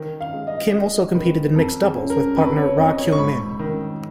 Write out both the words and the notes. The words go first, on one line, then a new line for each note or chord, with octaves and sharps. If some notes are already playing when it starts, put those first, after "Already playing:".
Kim also competed in mixed doubles with partner Ra Kyung-min.
Already playing: D#3
F5
G#3
D#5
G#3 D#5
D#3 B4
F2 A#4
G#4
C#4
A#4
F2 B4
C#5
F2 D#5
C#5
C#6
G#2 B5
D#3